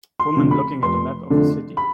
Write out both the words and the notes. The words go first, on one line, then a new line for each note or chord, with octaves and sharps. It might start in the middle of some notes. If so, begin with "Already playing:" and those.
Woman looking at a map of a city.
C6
F2 D3 A3 D4
B5
F1 C6
F2 D3 A3 D4
B5